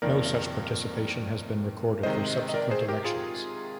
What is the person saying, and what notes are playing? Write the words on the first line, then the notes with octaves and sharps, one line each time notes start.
No such participation has been recorded for subsequent elections.
F2 D#3 A#3 A#4 D5
C3 D#3 G#3 C5 D#5
D#5
A#4 D5
G#4 C5
G4 A#4
F4 G#4